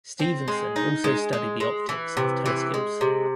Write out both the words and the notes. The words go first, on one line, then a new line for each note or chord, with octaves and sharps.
Steavenson also studied the optics of telescopes.
C4
G#3
D#4
G#3
G#3
G#3
E3
C3
E3
G#3
C3